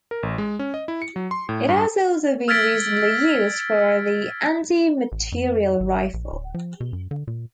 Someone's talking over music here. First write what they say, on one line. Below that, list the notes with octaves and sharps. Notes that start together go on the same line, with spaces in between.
It has also been recently used for the anti-materiel rifle.
A#4
A1
G#3
C#4
D#5
E4
C#7
F#3
C6
A2
G2
E6 F6 G#6 A6 B6 D7
A1
F2
G#1
A#1
D1
F3
B2
F#2
D3
A#2